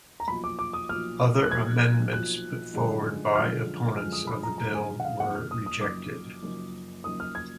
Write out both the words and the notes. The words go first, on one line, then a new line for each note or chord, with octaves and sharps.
Other amendments put forward by opponents of the bill were rejected.
A#5
B1 A#2 F3 B5
D6
D6
D#6
B1 A#2 F3 F6
F#6
B1 A#2 F3 G#6
B1 A#2 F3 F#6
F#2 D3 F3 G#3
F#2 D3 F3 G#3 F6
F#2 D3 F3 G#3 F6
D#6
B5
A#5
F#2 D3 F3 G#3 A#5
G#5
F#5
F5
F#1 F#2 F3 A#3 D#4 F#5
F6
D#6
D#6
F#1 F#2 F3 A#3 D#4 D6
F#1 F#2 F3 A#3 D#4
F#1 F#2 F3 A#3 D#4 D#6
F6
G#6